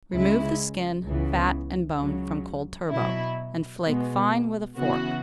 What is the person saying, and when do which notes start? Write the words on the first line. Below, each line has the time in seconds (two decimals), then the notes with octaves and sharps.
Remove the skin, fat, and bone from cold turbot, and flake fine with a fork.
0.12 C#2 C#3 G#3 E4
1.05 C#2 C#3 E3 B3
1.98 C#2 C#3 F#3
2.91 B2 F#3 E4
3.84 B2 G#3 B3
4.77 C#3 E3 B3 F#4